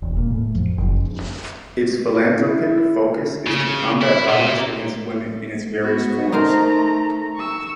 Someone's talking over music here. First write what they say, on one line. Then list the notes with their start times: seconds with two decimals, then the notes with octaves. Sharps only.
Its philanthropic focus is to combat violence against women in its various forms.
0.02 E1
0.17 A#2
0.31 A2
0.55 F2
0.78 F#1
2.35 E4
3.47 C#3
4.02 E4
4.29 A#2
5.81 B3 F#4
6.32 A3 D#4 A#4 C5 A#5
7.36 C#6 E6